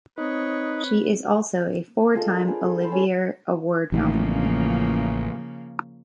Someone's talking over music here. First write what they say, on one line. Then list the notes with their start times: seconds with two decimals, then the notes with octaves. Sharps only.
She is also a four-time Olivier Award nominee.
0.18 C4 D#4 B4 C#5
2.16 F4 G#4 A4 D#5
2.28 D4 A#4 C5
2.45 G#4 B4 D5
2.62 A4
2.80 G5 A5 B5 C6
2.92 C#4 G#4
3.92 A1 A2 C#3 F3 A#3